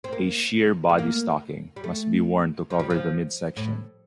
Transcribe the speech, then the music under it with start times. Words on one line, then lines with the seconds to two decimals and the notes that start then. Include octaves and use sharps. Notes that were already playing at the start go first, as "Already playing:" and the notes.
A sheer body stocking must be worn to cover the midsection.
0.04 C4
0.13 A#3
0.89 A3
0.99 A#3
1.76 G3
1.84 A3
2.70 F3
2.80 G3
2.90 F3
3.57 A2